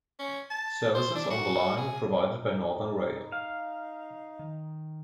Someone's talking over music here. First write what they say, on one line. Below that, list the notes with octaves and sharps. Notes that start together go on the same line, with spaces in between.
Services on the line are provided by Northern Rail.
C#4
A5
C5
D4
F#4
G#4
D#4
F5
D#3